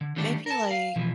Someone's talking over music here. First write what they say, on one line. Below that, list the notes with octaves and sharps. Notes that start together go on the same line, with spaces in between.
Maybe, like
D3
D3 D#3 G3 A3 D4 G4
A#4 A5
F5
B2 E3 F3